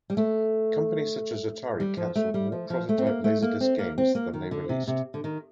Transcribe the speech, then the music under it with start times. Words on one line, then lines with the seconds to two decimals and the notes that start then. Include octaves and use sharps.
Companies such as Atari canceled more prototype Laserdisc games than they released.
0.10 G3
0.17 A3
1.80 G3
1.97 F3
2.15 A3
2.34 G3
2.52 F3
2.70 F3
2.89 A3
2.98 C4
3.06 A#3
3.24 A3
3.42 A#3
3.61 C4
3.79 A#3
3.98 C4
4.15 A#3
4.34 D#3
4.51 D3
4.69 C3
4.87 C3
5.14 D3
5.24 D#3